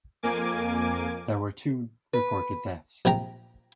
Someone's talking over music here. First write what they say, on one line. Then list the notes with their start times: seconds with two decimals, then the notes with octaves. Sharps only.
There were two reported deaths.
0.23 F2 A#3 G#5 D6
2.13 B4
3.05 A#1 C3 G5 A#5